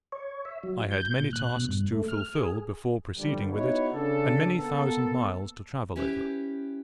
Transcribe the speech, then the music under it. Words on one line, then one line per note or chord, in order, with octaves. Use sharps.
I had many tasks to fulfil before proceeding with it, and many thousand miles to travel over.
C#5
E5
F#3
G6
A#2
F#6
B2
G2
A3
F6
G#4
G2 D3 F3 G3
B3 D#4 E4 F#4 B4 C#5
C#3 D4 A4
A#3 B3 A4
C#4 E4 G4 B4 C5